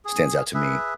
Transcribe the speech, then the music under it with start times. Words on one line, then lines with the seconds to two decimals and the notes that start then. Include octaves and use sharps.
stands out to me.
0.05 G#4
0.54 G#4 B4 E5